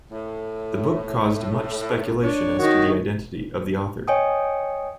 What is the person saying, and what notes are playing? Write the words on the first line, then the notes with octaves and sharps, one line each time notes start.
The book caused much speculation as to the identity of the author.
A2
D4 C#5
D#3 D#4 F#4
C#5 D#5 G5 G#5 D#6